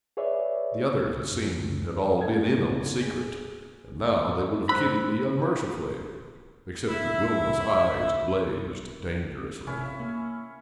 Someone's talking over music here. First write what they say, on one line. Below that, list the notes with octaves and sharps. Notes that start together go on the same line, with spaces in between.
The others, it seemed, had all been in on the secret, and now they would have kidded me unmercifully, except that Wilma's eyes blazed dangerously.
G#4 B4 C#5 D5 E5
E6
F#2
G#6
F#1
G#4
C5 B5 E6 F#6
E4 E5
C3 C#4 E4
F5
A#3